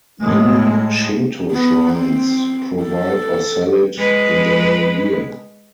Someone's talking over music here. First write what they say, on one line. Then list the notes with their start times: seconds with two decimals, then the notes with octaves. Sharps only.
Many Shinto shrines provide or sell it in the New Year.
0.21 A2 G#3
1.52 B3
1.94 C4
2.83 A4
3.98 G#3 B4